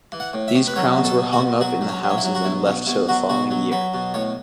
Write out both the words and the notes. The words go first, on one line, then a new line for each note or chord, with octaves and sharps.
These crowns were hung up in the houses and left till the following year.
E3
F#5
A2
E5
A2
B4
F#3 C#5
B2
A4
B2
F#4
B2
F#3 F#4
F#3
C#4
F#3
C#4
E4
F#3
F#4
B2 E4
B2 C#4
B2 E4
F#3 F#4
B2 F#4
F#3
F#3 B4
B2
A2 C#5